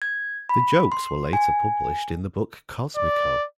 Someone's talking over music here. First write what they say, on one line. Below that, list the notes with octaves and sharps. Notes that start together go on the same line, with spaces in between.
The jokes were later published in the book Cosmico!
G#6
B5
C6
G#5
D5